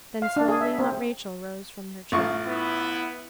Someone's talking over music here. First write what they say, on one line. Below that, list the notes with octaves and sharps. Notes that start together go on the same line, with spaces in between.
Then slowly Aunt Rachel rose from her chair.
F5
D4
G#4
E5
C4
A1 F4 C#6
B3 E4